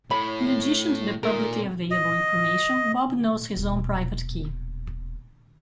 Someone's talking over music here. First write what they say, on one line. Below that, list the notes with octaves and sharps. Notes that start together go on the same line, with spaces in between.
In addition to the publicly available information, Bob knows his own private key.
A2 C#5 B5
A#2 D#4 A#4
D#5
D#1 B2